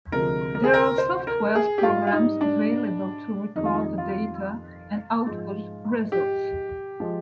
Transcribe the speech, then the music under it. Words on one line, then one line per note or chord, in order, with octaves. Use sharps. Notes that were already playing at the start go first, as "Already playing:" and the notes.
There are software programs available to record the data and output results.
D2 C3 F3 G#3 A#4
A#4
G#4
A#4
C5
A#4
G#4
G4
G#2 G3 F4
F4
D#4
D4
F2 D#3 G3 D#4
F4
D#4
F4
G#2 F3 G#3
G4
F3 G#3